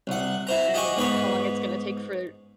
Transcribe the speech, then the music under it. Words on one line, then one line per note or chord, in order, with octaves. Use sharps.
and how long it's gonna take for
C2 F#5
E4 C5 A#5
G4 D#5 F#5 G#5 C#6
G#2 B3 C#5 B5 D#6